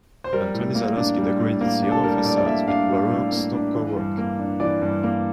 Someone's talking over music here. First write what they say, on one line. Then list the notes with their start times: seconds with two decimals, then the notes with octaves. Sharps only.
Antoni Zaleski decorated its yellow facades with baroque stucco work.
0.24 C5
0.33 G3 A#4
0.54 A2
0.75 A#3
0.97 D4
1.18 G3
1.39 A2
1.61 A#3
1.82 D4
1.92 A4
2.03 G3 A#4
2.25 A2 D5
2.37 D5
2.46 A#3 E5
2.68 D4 F5
2.89 G3
3.10 A2
3.32 A#3
3.53 D4
3.75 E3
3.96 G2
4.18 A#3
4.39 D4
4.60 E3 D5
4.82 G2
5.03 A#3